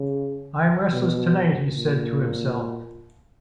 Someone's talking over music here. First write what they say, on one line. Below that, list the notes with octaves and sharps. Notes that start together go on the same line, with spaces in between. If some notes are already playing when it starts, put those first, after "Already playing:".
"I'm restless tonight," he said to himself.
Already playing: C#3
B2
A#2